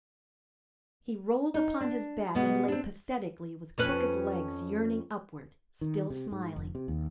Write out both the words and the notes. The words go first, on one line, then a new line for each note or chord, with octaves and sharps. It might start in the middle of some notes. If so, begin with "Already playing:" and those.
He rolled upon his back and lay pathetically with crooked legs yearning upward, still smiling.
D#4
D4
B2 G#3 B3
C4 D4
F2 C#4 B4
D#3
C3
G#2
F1
C3
D#2